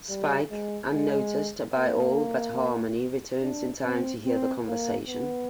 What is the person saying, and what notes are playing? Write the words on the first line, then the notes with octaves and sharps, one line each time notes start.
Spike, unnoticed by all but Harmony, returns in time to hear the conversation.
G3
G#3
G#3
A#3
D4
C4
C4
A#3
B3